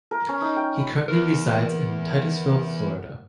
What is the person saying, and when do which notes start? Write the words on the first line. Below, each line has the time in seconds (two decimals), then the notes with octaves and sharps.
He currently resides in Titusville, Florida.
0.11 A#4
0.28 C#4
0.41 D#4
0.56 G5
0.77 B5
1.08 E2 A#4